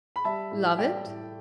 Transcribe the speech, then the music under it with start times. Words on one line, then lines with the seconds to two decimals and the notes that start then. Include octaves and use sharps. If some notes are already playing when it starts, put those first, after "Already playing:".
"Love it?"
0.16 B5
0.25 G3 E5 A5
0.51 A2
0.79 G3 D5 G5
1.05 A2